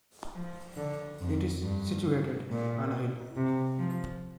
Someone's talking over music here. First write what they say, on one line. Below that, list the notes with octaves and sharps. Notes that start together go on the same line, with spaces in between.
It is situated on a hill.
F3
D3
F2
G2
A#2
C3
F3